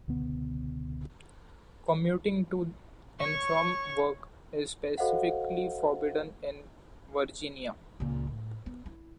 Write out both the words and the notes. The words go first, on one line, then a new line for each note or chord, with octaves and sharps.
Commuting to and from work is specifically forbidden in Virginia.
C#2 B2 D3 B3
C#5 C#6
F#4 A4 C5 D#5 F5 F#5
C#2 A#2
A2
B3
E4